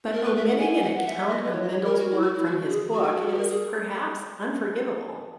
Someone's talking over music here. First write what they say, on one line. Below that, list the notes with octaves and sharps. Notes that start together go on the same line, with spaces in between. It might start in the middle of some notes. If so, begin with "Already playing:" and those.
But omitting an account of Mendel's work from his book is, perhaps, unforgivable.
A#4
B4
E5
F#5
G#5
F#5
E5
D#5
B4
C#5
D#5
C#5
A#4
F#4
E4
F#4
E4
F#4
G#4
F#4
F#4
F#4
F#4
B4
A#4
G#4